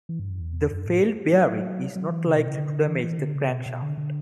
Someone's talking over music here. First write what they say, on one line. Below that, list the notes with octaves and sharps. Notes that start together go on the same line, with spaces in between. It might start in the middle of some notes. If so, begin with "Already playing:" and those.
The failed bearing is not likely to damage the crankshaft.
E3
G2
F#2
E2
F#2
A2
F#3
F#3
E3
C#3
B2
C#3
D3
E3
E3
D3
C#3
B2
B2
D3
D3